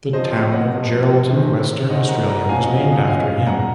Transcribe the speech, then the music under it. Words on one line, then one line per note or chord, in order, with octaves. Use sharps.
The town of Geraldton, Western Australia was named after him.
C3 F3 C4 C5 D#5
D#5 F#5
C3 F3 C4
C3 D#3 G#3 C4
C3 D#3 G#3 C4 D#5 F#5
F#5 A#5
F#5 A#5
F2 C#3 F#3 F5 G#5
D#5 F#5
F5 G#5
D#5 F#5
F2 C#3 F#3 F5 G#5
F5 G#5
F#5 A#5